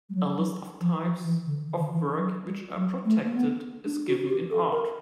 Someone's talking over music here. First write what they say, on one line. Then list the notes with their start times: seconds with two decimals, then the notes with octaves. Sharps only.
A list of types of work which are protected is given in Art.
0.10 G3
0.15 F#3
0.37 F#3
0.81 F3
1.02 F3
1.24 E3
1.46 D3
1.68 D#3
1.80 D#3
1.90 E3
2.18 F#3
2.47 G3
2.77 F#3
3.05 A3
3.25 A#3
3.35 B3
3.85 D4
4.07 F#4
4.30 G4
4.51 A4
4.72 A#4